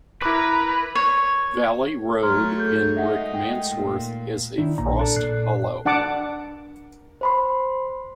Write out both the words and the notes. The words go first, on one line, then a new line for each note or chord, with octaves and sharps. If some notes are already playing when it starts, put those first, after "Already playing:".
Valley Road in Rickmansworth has a frost hollow.
E4 A#4 B4 A#5 D6
C#5
F#3 A3 C#5 A#5 C6 F6
G#4 A4 G6
G#3 A3 D#4 E5 F#5
G5
A#2
D#3 D4 E4
A#1 A#2 A#5
D4 A4
A#2 F#6 C7
D4 F#5 A5 D6
C5 B5 C6